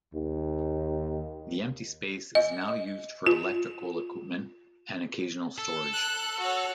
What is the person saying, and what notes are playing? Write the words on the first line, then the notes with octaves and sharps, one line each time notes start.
The empty space is now used for electrical equipment and occasional storage.
D#2
D#5
F4
A4
F#6
F#4 C#5